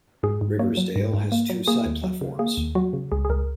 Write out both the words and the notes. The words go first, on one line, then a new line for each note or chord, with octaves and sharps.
Riversdale has two side platforms.
G#2 G#4
G#2
A#3 C#5
F#3
G#2
G#2
A#3
F#3
A#3 G#4
D#2
F#3
C#3
A#3 G#4
D#2
F#3 F#4
C#3
C#2 G#4
G#4
C#2 A#4